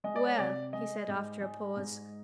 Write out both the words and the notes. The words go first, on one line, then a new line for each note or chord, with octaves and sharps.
"Well?" he said after a pause.
G#3 D#5
D5
C#5
C3 D5
G#3 D#5
G#2
G#3
G#2